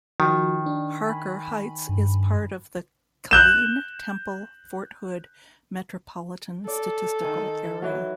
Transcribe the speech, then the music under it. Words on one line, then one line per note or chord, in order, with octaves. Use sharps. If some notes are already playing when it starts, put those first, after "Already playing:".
Harker Heights is part of the Killeen-Temple-Fort Hood Metropolitan Statistical Area.
D#3 F3 F#4
D4
G#5 B5
G2
F#6 G6 E7
A4 D5
D#3 G#5
E3 F#3